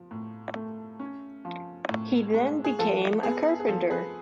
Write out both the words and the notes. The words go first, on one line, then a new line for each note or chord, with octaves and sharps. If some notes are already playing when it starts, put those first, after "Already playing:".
He then became a carpenter.
Already playing: F3
A2
A3
C#4
F3
A2
G#3
G#4
F3 A4
B3 G#4
G#4
F3 A4
G#4 B4